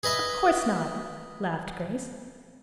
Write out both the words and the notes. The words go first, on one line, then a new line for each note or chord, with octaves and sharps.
"Of course not," laughed Grace.
G#4 B4 D#5 E5